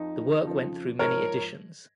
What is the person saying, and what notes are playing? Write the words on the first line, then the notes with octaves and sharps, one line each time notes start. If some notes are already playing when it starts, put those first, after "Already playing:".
The work went through many editions.
Already playing: F2 F3 D#4
F2 C#3 F3
G#2 F3 A#4 C#5